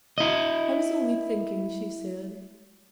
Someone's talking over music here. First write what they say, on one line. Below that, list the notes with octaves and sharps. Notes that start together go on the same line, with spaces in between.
"I was only thinking," she said.
E4 D#5